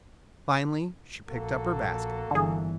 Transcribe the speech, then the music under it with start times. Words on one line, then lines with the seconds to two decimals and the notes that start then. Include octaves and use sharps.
Finally she picked up her basket.
1.28 A#1 A#3 F#4 A4
2.31 G1 D3 E3 G#4